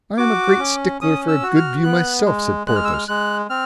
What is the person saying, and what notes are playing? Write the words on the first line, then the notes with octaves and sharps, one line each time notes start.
"I am a great stickler for a good view myself," said Porthos.
F#4 D6
C#4
C#4 D#6
E6
F#4
F6
B3 F#6
G#3
G#3 F#6
F6
E6
F6
G#3 F#6
C4 F6